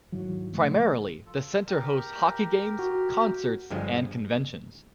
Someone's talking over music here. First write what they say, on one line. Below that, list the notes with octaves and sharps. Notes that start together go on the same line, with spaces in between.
Primarily, the Center hosts hockey games, concerts and conventions.
G#2 D#3 E3 F#3
A#2 C#3 F3 A3
F4 A4
G4 A#4
F#4
G2 D3 F3 G#3